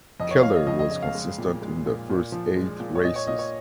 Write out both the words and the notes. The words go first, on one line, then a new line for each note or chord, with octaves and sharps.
Keller was consistent in the first eight races.
F2 D#5
C#5
F2 F5
D#5
F2 D#5
D#5
C#3 D#5
F5
G#3
A#2
G#3
A#2
A#2
F3
G#3
A#2
C#5
A#2 D#5
C#5
A#2 D#5
C#5